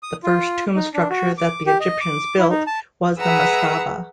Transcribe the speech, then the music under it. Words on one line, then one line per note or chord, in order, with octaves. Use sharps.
The first tomb structure that the Egyptians built was the mastaba.
D#6
F4
D#4
D4
F#4
D6
G4
D#5
D6
E4
D#4
A5
G#4 B4 E5 F#5 A#5 E6